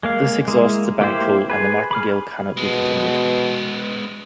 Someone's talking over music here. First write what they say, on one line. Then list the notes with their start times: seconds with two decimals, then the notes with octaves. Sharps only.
This exhausts the bankroll and the martingale cannot be continued.
0.03 G#3 A#3 F5
0.48 G#3 A#3 E4
1.01 A#3 E4 G4 C5
1.50 G#4 B4
1.91 B5 D6 F6
2.57 B2 G#3 B3